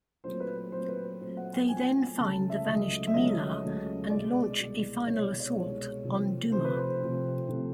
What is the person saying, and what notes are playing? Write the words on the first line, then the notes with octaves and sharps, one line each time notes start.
They then find the vanished Mila and launch a final assault on Duma.
A#2 F#3 A3 C4 C5
B4
A#2 F#3 A3 C4 C5
B4
C5
A#2 F#3 A3 C4 C5
F#5
G5
A#2 F#3 A3 C4 G#5
C#2 C#3 F#3 A3 A5
E5
C#2 C#3 F#3 A3 D#5
E5
C#2 C#3 F#3 A3 D#5
C#2 C#3 F#3 A3
C2 B2 G#3 D5
C2 B2 G#3
C2 B2 G#3 C#5
D5
C#5
C2 B2 G#3
C3 F3 A3 C4
C3 F3 A3 C4 C5
B4
C5
C3 F3 A3 C4
C3 F3 A3 C4